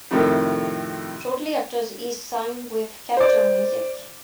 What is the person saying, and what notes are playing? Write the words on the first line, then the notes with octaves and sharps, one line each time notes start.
Shortly after he signed with Capital Music.
F2 A2 C3 D#3
C5 D5